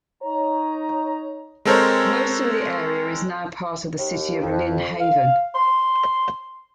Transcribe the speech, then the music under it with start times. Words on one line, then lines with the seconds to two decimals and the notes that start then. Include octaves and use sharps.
Most of the area is now part of the city of Lynn Haven.
0.22 D#4 C#5 A#5
1.65 G#3 C4 A4 A#4 C5 C#5
3.98 D#2
4.42 F2
5.00 F5
5.55 C6